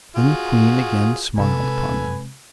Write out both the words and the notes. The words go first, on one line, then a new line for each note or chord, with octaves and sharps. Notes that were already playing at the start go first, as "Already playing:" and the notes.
Then the Queen again smiled upon them.
F4 F#4 G#4
C3 G#3 A4 B4 G#5